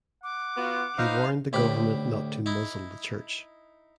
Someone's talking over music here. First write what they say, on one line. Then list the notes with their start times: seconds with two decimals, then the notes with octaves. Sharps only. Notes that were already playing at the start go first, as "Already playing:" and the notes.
He warned the government not to "muzzle" the Church.
0.23 F#5 D6
0.57 B3 F4 F#4
0.98 D#4 B4 C5 F5
1.53 D2 A2 G4 B5
2.46 D#4 E4